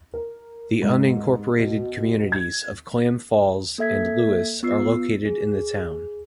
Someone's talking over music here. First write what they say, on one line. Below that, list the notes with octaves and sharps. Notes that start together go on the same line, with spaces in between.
The unincorporated communities of Clam Falls and Lewis are located in the town.
A#4
G#2
B2
G#6
A#3 A4 E5 G#6 B6
B3 F4 E6 C7
G#4